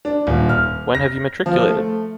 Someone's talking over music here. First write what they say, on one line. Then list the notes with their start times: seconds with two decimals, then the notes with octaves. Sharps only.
When have you matriculated?
0.05 D4
0.27 D#1
0.49 F6
0.95 A#6
1.46 F3
1.68 A3